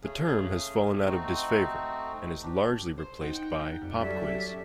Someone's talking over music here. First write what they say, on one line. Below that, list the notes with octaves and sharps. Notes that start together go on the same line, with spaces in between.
The term has fallen out of disfavor and is largely replaced by "pop quiz".
C#3 A3 C#4 G#4
A3 C4 D#4 F#4
D4 G4
C5
D#4 F#5 G5
F2 G3
F#3 C#4 G4 A4 D5 E5